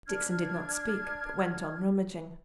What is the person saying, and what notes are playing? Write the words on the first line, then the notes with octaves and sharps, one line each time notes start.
Dixon did not speak, but went on rummaging.
D4 F6 G#6